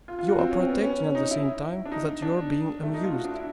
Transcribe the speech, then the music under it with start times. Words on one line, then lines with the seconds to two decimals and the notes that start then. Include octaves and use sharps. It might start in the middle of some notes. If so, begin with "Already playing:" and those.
You are protecting at the same time that you are being amused.
0.08 F4
0.19 F4
0.28 F#4
0.39 C4
0.51 C#4
0.60 C4
0.69 B3
0.84 C#4
1.15 D#4
1.31 E4
1.86 D4
1.92 D#4
2.22 D4
2.83 A3
2.94 D#4
3.04 F4
3.14 F#4
3.24 D4
3.34 E4